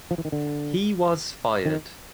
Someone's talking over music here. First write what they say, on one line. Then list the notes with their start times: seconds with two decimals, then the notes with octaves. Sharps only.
He was fired.
0.11 F3
0.18 E3
0.25 D#3
0.32 D3
1.65 D#3